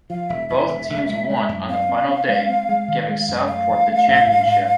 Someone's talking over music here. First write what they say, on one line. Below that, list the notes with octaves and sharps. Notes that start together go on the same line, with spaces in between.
Both teams won on the final day, giving Southport the championship.
F3 F5
E1 E5
E2 E5
E1
E1
G#3
G#3
F#2
C4 F5
C4
C4
G#3
C4
G#3
D#3
G#3
F#2
A3 F5
E3
A3
A1
G#2
G#2